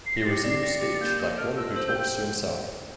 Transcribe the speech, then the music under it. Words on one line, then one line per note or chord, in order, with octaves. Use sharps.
He resumed speech like one who talks to himself.
C7
A#6
G4 A6
A#6
D5
C7
G4 A#6
G4
A6
A#3 G6
A#3
A4 F6
F4 E6
C5 E6
G6
G5